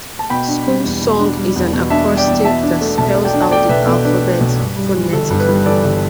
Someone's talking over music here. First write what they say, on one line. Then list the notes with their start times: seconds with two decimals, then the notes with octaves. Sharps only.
"School Song" is an acrostic that spells out the alphabet phonetically.
0.19 A5
0.30 B2 G5 B5
0.48 D4
0.66 G3
0.84 E2
1.01 B2
1.19 D4
1.37 G3
1.56 E2
1.73 B2
1.90 D4 E5 A5
2.09 G3
2.17 D5 G5
2.27 E2
2.44 B2 E5 A5
2.63 D4
2.81 A3
2.98 B1 E5 A5
3.16 B2
3.25 D5 G5
3.34 D4
3.42 A5
3.51 A3 D5 G5
3.69 B1 B4 E5
3.87 B2 A4 D5
4.05 D4 B4
4.23 A3
4.40 B1
4.59 G2
4.76 G3
4.95 E3
5.13 G1 A4
5.30 G2
5.39 B4
5.49 G3
5.66 E3 A4 D5
5.84 G1